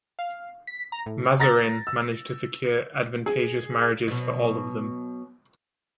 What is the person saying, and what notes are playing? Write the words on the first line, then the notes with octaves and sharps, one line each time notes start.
Mazarin managed to secure advantageous marriages for all of them.
F5
B6
A#5
A2
A#5 A6 A#6
E6
G#4
B2 F#3